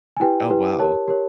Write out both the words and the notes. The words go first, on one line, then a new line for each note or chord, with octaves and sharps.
Oh, wow.
G#5
E4 G4 B4 G5
E4 G4 B4
G4 A#4 C#5 A5
G4 A#4 C#5